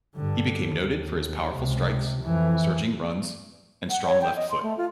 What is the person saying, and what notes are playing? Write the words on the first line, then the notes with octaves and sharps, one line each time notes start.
He became noted for his powerful strikes, surging runs, and strong left foot.
G2 D3
D#2
C#2 C3
F2 E3
F#5
C#5
G5
D#5
C6
A3
F4